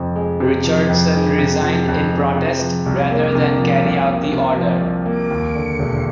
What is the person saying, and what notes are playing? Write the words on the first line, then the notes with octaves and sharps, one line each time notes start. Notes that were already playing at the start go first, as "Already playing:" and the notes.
Richardson resigned in protest rather than carry out the order.
Already playing: F2 C3 F3
G#3
C3
F3
F2
G#3
C3
F3
F2
G#3
C3
F3
C2
A#3
C3
F3
C2
A#3
C3
F3
C2
A#3
D#2
D3
E1